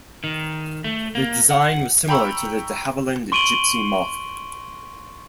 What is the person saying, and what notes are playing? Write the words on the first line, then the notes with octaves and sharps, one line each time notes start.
The design was similar to the De Havilland Gipsy Moth.
D#3
A3
A#3
F#5
G5 A#5 B5 C#6 E6
C6 C#6 D7 D#7 F#7 G7